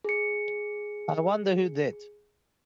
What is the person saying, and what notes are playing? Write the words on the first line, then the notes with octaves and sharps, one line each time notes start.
I wonder who did!
G#4 C#7